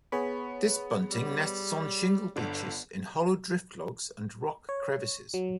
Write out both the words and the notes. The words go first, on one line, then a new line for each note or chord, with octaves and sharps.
This bunting nests on shingle beaches in hollow drift logs and rock crevices.
B3 G#4 C#5 B5
G3
G1 D3
C#5
F#3